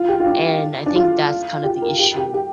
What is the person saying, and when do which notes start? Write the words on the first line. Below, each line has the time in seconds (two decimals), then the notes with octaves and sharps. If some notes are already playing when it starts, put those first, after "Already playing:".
And I think that's kind of the issue
Already playing: F4
0.08 G4
0.20 F4
0.26 D4
0.86 D4
0.95 F4
1.64 G4
1.82 A#4
1.99 G4
2.17 G4
2.34 G4